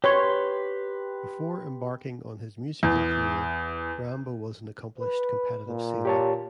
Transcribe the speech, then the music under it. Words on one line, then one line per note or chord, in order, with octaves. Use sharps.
Before embarking on his musical career, Rambo was an accomplished competitive sailor.
G4 B4 C#5 C6
E2
B4
A#2
G4 C#5 A5